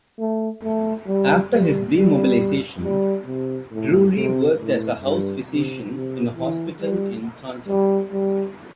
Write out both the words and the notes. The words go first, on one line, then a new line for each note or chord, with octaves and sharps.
After his demobilisation, Drury worked as a House Physician in a hospital in Taunton.
A3
A3
G3
G3
G3
G3
C3
A2
C3
A2
G2
C3
C3
E3
G3
G3
G3